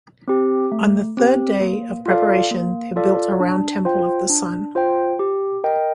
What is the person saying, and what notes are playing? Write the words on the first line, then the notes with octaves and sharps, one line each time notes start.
On the third day of preparation, they built a round temple of the Sun.
C4 G4
A3
C4 G4
A#3
F4 A4 D5 F5
A#3
F4 A4 D5 F5
D4
F4 C5 G5
D4
F4 C5 G5
G4
A#4 D#5 G5